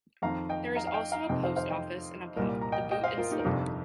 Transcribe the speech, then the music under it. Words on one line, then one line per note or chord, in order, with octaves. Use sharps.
There is also a post office and a pub, "The Boot and Slipper".
F2 D#3 C4 F5 A#5
D#5 G5
F5 A#5
F5
D#5 G5
F5 A#5
F2 C3 D#3 C4 D#5 G5
C5 F5
C5 F5
D#5 G5
C2 A#2 G3 A#4 D#5
A#5
D#5 G5
D#5 G5
C5 F5
F4 A#4
D#4 G4
A#4
G1 F2 C3 D#4 G4